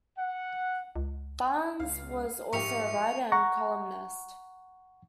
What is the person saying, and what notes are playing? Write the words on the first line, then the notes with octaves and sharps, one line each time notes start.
Barnes was also a writer and columnist.
F#5
C#2
C#2 F5
A#1 G#2 G4 E5 C#6 C#7 F7
F#5 A#5 C#6